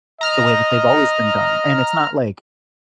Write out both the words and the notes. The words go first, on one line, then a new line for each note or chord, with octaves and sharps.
the way that they've always been done?" And it's not like,
D#5 A#5 F6